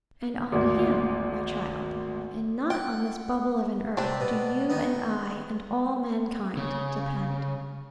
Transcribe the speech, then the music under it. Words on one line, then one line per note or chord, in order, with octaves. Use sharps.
And on Him, my child, and not on this bubble of an earth, do you and I, and all mankind, depend.
G#1 D2 A#3
F#5 G5
C3 C4 D4 B4
B2
D#3 B3
C#3